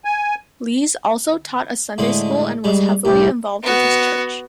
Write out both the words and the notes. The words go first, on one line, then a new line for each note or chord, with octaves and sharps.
Lees also taught a Sunday School and was heavily involved with his church.
G#5
A2 D3 G#3
G#2 G3
C2 A2 G4
B3 F#4